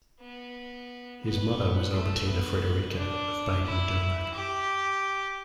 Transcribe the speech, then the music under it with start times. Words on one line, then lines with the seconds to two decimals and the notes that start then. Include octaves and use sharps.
His mother was Albertina Frederica of Baden-Durlach.
0.21 B3
1.24 B3
1.93 A3
2.27 B3
2.95 D4
3.64 E4
4.33 G4